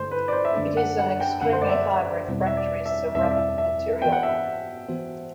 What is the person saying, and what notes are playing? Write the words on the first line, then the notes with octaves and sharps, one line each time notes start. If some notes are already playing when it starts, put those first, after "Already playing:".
It is an extremely hard refractory ceramic material.
Already playing: G2 D3 A3 E4 A4 C5
B4
D5
C5
E5
F#2 D3 A3 D4 A4 D5
F#5
F#5
G5
F#2 D3 A3 D4 A4 F#5
C5
D5
E5
D5
E2 B2 G3 C4 E4
E5
D5
E5
E2 B2 G3 C4 E4 E5
D5
E5
E5
E3 B3 F#4 C5 G5
F#5
E5
F#5
E3 B3 F#4 C5